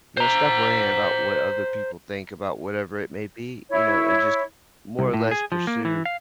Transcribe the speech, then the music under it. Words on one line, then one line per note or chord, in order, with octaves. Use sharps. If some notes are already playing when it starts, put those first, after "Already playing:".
you know, stop worrying about what other people think about whatever it may be, you know, and just more or less pursue,
C5 A#5
E4 C#5
C2
A2
G#4
F3
A#3
E3
F5